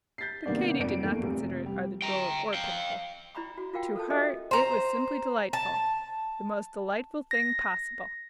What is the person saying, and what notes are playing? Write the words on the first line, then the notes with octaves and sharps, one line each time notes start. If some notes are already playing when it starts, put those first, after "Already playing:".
But Katy did not consider it either droll or pitiful; to her it was simply delightful--the most delightful thing possible.
G6 A6 B6 C7
C3 D#3 A#3 B3 D5
F2 D5 D7
E2 E3 A3 A#3
F1 C3
G3
G5 A#5
F5 G5
E4 D5 A#5 B5 C#6
F#4
F4 F#4 A#4 F5 G5
A4 A5
C#4 G4 A4 D#5 E5
C5 A#5
A5
A#6